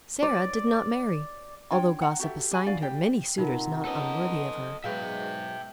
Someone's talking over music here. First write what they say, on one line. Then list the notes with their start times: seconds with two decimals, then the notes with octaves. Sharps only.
Sara did not marry, although gossip assigned her many suitors not unworthy of her.
0.23 D5
1.71 D4 F4 C#5 G5
2.01 F#5 A#5
2.19 F#4 G4 A4 E5
2.52 G4 G#5 B5
2.66 D4 F#4 D5 F5
2.82 G4 G5
3.38 C3 D#4 F4 A#4 F#5 A#5
3.85 B3 C#4 A4 D#5
4.84 G#2 F#3 G#3 B3 E5 F5 G5